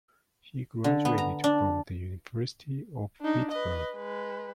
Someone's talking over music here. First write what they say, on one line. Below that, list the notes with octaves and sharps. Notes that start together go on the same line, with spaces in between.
He graduated from the University of Pittsburgh.
D3
B3
A#5
D4
D4 D#4
B4 D#5
G#3 B4